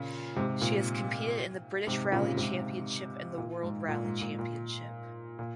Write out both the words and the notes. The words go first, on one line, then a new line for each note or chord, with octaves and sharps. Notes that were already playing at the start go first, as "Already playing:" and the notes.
She has competed in the British Rally Championship and World Rally Championship.
Already playing: A#2 C#3
G#2 C3
A#2
G#2 C3
A#2 C#3
G#2 C3
A#2
G#2
A#2
G#2
A#2
A#2
A#2